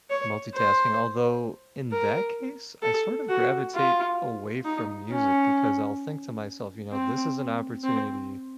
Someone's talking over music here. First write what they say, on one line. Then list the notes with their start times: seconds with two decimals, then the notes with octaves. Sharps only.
multitasking, although, in that case, I sort of gravitate away from music, because I'll think to myself, you know, this is an opportunity
0.10 C#5
0.55 C5
1.92 A#4
2.83 A4
3.29 F#4
3.75 F4
4.66 D#4
5.11 C#4
6.93 C4
7.84 C4